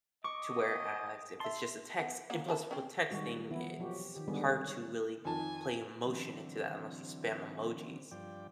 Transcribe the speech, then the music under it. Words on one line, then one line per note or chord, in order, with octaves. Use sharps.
To whereas if it's just a text and plus, with texting, it's hard to really play emotion into that unless you spam emojis
D#5 C#6 D6
E5 A5 C6
B3
A#3 C#4 F#4
E4 A#4 A5
C4 C#4
D#3 G3 G#3 F#4
E3 F3 B3 E4
F3 F#3 F#4 G4
D#3 G4
D3 D#3 G3 G#3 B3 G#4
C#5
F2 D#3 G#5 A5
D3 E3 F#3 C4
G2 F3 D5 G5